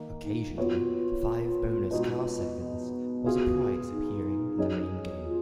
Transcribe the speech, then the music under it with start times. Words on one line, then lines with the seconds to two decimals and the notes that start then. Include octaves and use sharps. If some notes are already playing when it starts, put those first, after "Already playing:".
Occasionally, "Five Bonus Car Seconds" was a prize appearing in the main game.
Already playing: D#3 A#3
0.24 D#4
0.57 B3 F4 F#4 C#5
1.91 B2 G#3 B3 D#4 F#4
3.24 B3 F4 F#4 G#4
3.91 D#4
4.58 F#3 C#4 G#4 D#5
5.25 F4